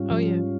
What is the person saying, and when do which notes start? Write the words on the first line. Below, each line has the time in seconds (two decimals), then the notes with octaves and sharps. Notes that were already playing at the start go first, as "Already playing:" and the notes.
Oh, yeah.
Already playing: G#2 G3 C#4 F4
0.11 F3